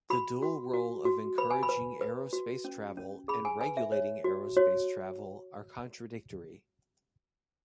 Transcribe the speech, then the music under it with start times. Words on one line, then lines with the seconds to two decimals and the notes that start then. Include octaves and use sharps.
The dual role of encouraging aerospace travel and regulating aerospace travel are contradictory.
0.10 F#4 B5
0.42 F#4
0.74 F#4
1.05 F#4
1.38 B4 B5
1.51 G#5
1.63 B5
1.69 B4
2.01 B4
2.33 F#4
2.65 C#4
2.97 C#4
3.28 G#4 B5
3.45 G#5
3.61 B4 G#5
3.77 E5
3.92 C#5
4.24 F#4
4.57 F#4 C#5